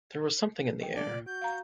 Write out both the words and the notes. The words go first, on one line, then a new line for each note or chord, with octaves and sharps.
There was something in the air.
E3 D#5 G5
D4 D5
A#2
F#4 G6
F5 A#5